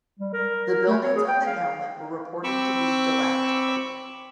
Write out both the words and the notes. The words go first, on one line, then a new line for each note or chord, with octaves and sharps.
The buildings of the hamlet were reported to be dilapidated.
G3
A#4
A#4
A3
C#5
G#4
G5
F5
C4 B5 C#6 D6 E6